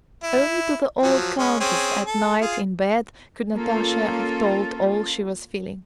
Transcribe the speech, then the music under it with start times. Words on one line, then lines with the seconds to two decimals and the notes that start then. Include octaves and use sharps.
Only to the old countess at night in bed could Natasha have told all she was feeling.
0.23 E4
1.03 F3 F#3
1.39 G#3 C#4
1.60 C4 C#4 G#4
2.06 A4
2.41 F4 G#4
3.55 A#3 C#4 F4 A4